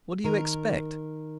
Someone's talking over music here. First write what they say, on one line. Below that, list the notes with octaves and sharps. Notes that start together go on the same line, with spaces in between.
What do you expect?
D#3 A#4